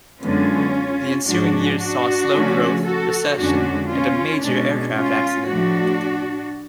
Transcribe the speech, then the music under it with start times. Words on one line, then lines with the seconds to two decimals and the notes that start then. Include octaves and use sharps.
The ensuing years saw slow growth, recession, and a major aircraft accident.
0.20 F#2 D3 G#3 B3 C#4 F4
1.26 G#2 F3 G#3 C#4 D4 F#4
1.79 D4 F#4
2.32 C#3 F3 A3 C#4
2.84 F#4 A4
3.37 F2 D3 G#3 C#4 D4 F#4
3.90 C#4 F4
4.43 B2 G#3 C#4 D4
4.95 C#4 F4
5.48 A2 F3 A3 D4 F#4